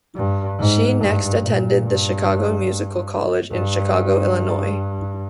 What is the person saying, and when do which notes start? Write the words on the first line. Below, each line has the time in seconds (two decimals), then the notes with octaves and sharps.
She next attended the Chicago Musical College in Chicago, Illinois.
0.16 G2
0.59 G#2
1.00 G2
1.43 A#2
1.84 G2
3.52 G2